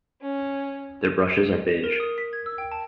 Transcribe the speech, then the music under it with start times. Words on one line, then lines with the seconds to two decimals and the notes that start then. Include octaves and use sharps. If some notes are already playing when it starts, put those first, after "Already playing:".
Their brushes are beige.
0.22 C#4
1.84 A#4
2.00 D#6
2.18 B6
2.33 G#6
2.46 E6
2.58 G5
2.72 A5